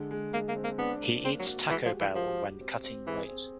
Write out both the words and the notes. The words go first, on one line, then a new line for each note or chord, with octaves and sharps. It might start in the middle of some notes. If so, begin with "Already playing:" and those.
He eats Taco Bell when cutting weight.
Already playing: D3 G#3
G#3
G#3 A#3
A#3
C4
A#3
B3 D4
A#3
A#3 C4
F#3
F#4
E3 G#3
F3
G4
E3
F3 G4
G4
C4
C4
E3 G#4
C4